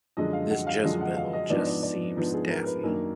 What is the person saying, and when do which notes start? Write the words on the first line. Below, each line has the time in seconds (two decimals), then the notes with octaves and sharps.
This Jezebel just seems daffy.
0.17 F#2 D3 F3 G#3 D4 D#5
0.33 F5
0.50 F#5
0.67 F5
0.84 F#2 D3 F3 G#3 D4 D#5
1.01 F#5
1.17 F5
1.33 D#5
1.50 G#2 F3 B3 D4 D5
1.59 D#5
1.67 D5
1.83 D5
2.17 G#2 F3 B3 D4
2.34 G#4
2.51 A#4
2.67 B4
2.83 F#2 D#3 A#3 D4 A#4